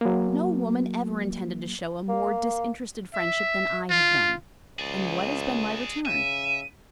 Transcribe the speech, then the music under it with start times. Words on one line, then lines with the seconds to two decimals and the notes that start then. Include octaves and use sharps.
"No woman ever intended to show a more disinterested friendship than I have done; and what has been my return?"
0.01 F#3 A#3
2.09 A#3
3.15 E5
3.90 F4
4.79 C#2 G#4 D5
6.05 C#3 E5 D#7